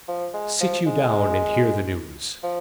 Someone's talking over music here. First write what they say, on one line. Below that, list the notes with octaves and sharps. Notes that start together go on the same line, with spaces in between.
Sit you down and hear the news.
F3
G#3
F3
G#3
F3